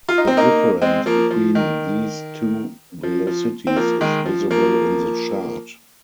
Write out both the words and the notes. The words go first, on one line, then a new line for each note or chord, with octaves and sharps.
The difference between these two velocities is visible in the chart.
F4
D#4
C4
A#3 D#4
G#3 C4
F3 A#3
F3
D#3
F3
F3
C4
F3 A#3
D#3 G#3
F3
F3 A#3